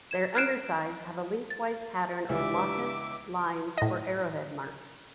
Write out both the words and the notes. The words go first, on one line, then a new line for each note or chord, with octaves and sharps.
Their undersides have a lengthwise pattern of blotches, lines, or arrowhead marks.
G#6 E7
F6 F#6 G#6 C7 D7 E7
A6
C#2 G2 E3 E5 D6
A2 D#5